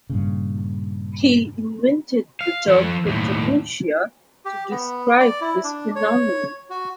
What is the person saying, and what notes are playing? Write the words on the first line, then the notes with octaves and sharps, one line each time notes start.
He invented the term cryptomnesia to describe this phenomenon.
G2 A#2 C#3
F5
F3 A4
D#2 A2
G4
B3
D5
E4
D4
C#5
F#4